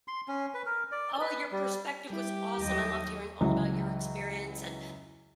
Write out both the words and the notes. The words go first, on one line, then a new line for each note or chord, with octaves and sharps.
oh, your perspective was awesome, I loved hearing all about your experience, and
C6
C#4
B4
A#4
D5
B4
G3
G3 E4 G4
D#2 F#3 D#5
C#2 E3 F#3